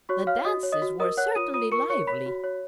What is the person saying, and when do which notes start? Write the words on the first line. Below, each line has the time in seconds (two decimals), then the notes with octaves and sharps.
The dances were certainly lively.
0.09 F#4 C#5 C#6
0.27 C#5 F5 F6
0.45 F#4 D#5 D#6
0.63 C#5
0.72 D#5 D#6
0.82 F#4
1.00 A#4 D#5 D#6
1.17 C#5 F#5 F#6
1.35 F4 D#6 D#7
1.54 F4 D#6 D#7
1.72 A#4 C#6 C#7
1.90 C#5 C#6 C#7
2.07 C#5 B5 B6
2.26 F#4
2.44 C#5